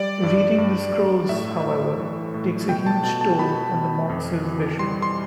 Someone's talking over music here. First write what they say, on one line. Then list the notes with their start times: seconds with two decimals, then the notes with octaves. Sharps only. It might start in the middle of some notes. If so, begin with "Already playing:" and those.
Reading the Scrolls, however, takes a huge toll on the monks' vision.
Already playing: G3 D5
0.23 G2
0.58 G2
0.93 G2
1.29 A2 E5
1.64 A2
1.99 E3
2.34 A2
2.69 B2 G5
2.86 A5
3.04 B2 A5
3.21 A5
3.39 B2 B5
3.74 B2
4.09 F2
4.45 E3
4.79 G3 C6
5.02 C6